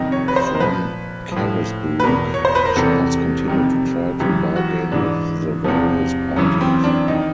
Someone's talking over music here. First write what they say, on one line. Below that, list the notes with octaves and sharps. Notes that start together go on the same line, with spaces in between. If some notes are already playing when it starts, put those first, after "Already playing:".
From Carisbrooke, Charles continued to try to bargain with the various parties.
Already playing: F2 C3 D#3 D#5
C#5
B4
C5
A#4
A#2 F3 B4
A2 F3
B4
E2 B2 A#4
C#5
C5
B4
A#4
E2 C3 E3 A4
F2 C3 D#3
F#2 C#3 E3 G4
F#4
G#2 E3 D4
E2 C3 F3
F#2 C#3 E3 C#4
C4
D4
D#3 D#4